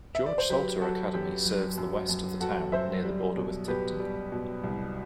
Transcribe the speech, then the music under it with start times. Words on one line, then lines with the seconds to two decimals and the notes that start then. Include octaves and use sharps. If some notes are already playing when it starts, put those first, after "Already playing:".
George Salter Academy serves the west of the town near the border with Tipton.
0.15 E5
0.26 D5
0.38 C5
0.50 F#3 G4 B4
0.81 F#3 F#4 A4
1.13 F#2 G4
1.46 F#3
1.78 F#2
2.09 F#2
2.41 F#2 F#4 A4
2.72 F#2 C5 E5
3.05 G3
3.36 B2
3.68 B2 G4 B4
4.00 G3
4.32 B2
4.63 C2